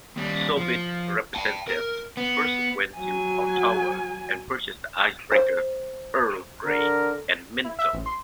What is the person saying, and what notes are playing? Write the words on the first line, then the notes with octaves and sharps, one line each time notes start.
Soviet representatives first went to Ottawa and purchased the icebreakers "Earl Grey" and "Minto".
D#2 G3
F3
G5 A5
A#4
B3
F#3 G#5
C5
D3 A#4
E4
E5
A1
C6